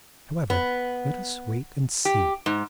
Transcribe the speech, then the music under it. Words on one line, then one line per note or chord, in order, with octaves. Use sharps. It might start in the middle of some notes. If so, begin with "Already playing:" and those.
However, let us wait and see.
B3
G4
G#2